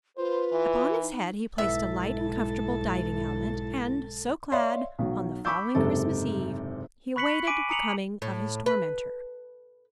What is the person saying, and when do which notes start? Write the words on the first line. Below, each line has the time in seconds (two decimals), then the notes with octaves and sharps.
Upon his head he placed a light and comfortable diving helmet, and so clad, on the following Christmas Eve he awaited the coming of his tormentor.
0.17 F4 B4 C5
0.52 E3
1.00 D#4
1.58 B1 G#2 B3 E4 A4 E5 A6
4.52 C#5 D5 E5 F5 C6
4.99 B1 F#3
5.45 B5 C#6 D6 E6 G6
5.75 F#1 G#2 C3 A4
7.16 B5 C#6 F#6 B6 C#7 F#7
7.47 G#5 D6 B6 D7 D#7
7.69 A#5 D#6 C#7 F7 F#7
8.22 A2
8.66 B4